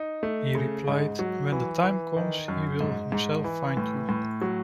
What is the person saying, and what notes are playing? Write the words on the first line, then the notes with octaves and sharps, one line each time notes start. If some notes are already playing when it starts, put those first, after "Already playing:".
He replied: 'When the time comes, he will himself find you.
Already playing: D#4
A3
C#3
G#2
F#3
E3
E3
D#3
F#2
G#2
G#2
E3
A2
A2
F#3